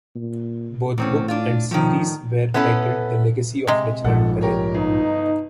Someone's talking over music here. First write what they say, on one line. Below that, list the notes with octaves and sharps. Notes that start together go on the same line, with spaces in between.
Both book and series were titled "The Legacy of Reginald Perrin".
A#2
E2 A2 C4 C#4
D4 F4
A2 D#3 F3
B3 C#4 E4 A4 B4
C3 G#3
A#1 G#2 F3 A4 F#5
G4 A#4 C#5
G1 D#4